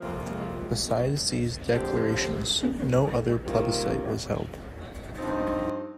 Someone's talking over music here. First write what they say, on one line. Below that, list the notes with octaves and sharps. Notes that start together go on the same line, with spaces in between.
Besides these declarations, no other plebiscite was held.
F2 C3 F3 A#3 F4
D3 F3 C4 G4
C3 D#3 G3 A#3 F4
G2 F3 C4 D#4